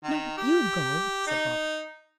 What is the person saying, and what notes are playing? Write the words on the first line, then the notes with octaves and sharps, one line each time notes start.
"No, you go," said Robin.
D#3
G4
D#4